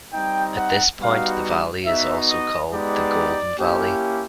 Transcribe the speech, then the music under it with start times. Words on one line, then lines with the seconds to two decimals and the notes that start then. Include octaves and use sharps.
At this point the valley is also called the Golden Valley.
0.13 G3 C4 D#4 G5
0.57 F#5
1.00 G3 B3 D#4 F#4 F5
1.86 B3 D#4 F#4 E5
2.29 D#5
2.71 G#3 B3 D#4 G4 D5
3.58 A#3 C#4 E4 G4